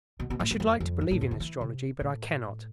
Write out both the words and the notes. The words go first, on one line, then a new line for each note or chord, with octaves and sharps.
I should like to believe in astrology, but I cannot.
B2
B2
A2
G2
F2
F2
G2
A2
F2
D3
E3
C3
A2